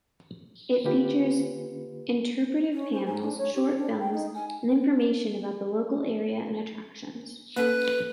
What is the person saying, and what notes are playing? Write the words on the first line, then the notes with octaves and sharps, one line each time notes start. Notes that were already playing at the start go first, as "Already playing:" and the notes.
It features interpretive panels, short films, and information about the local area and attractions.
D3 A#3 F4 G4 B4
C#4
C5
G#5
D4
C#5
G4
D4
G5
D#4
G#5
A#3 C#4 A4 B4